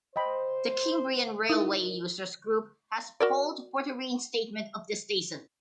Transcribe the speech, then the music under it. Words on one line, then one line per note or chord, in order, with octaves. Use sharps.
The Cambrian railway users group has called for the reinstatement of this station.
C5 D#5 G5 B5
D#4 E4 A#4 D#6
F#4 A#4 D5